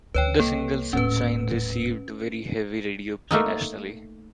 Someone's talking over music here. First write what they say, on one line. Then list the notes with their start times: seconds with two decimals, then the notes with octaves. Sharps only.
The single "Sunshine" received very heavy radio play nationally.
0.14 D2 E3 B4 C#5 G5
0.39 C2 A#3 A4
0.93 D#1 A2 C#4 B4
3.31 A3 A#3 D#4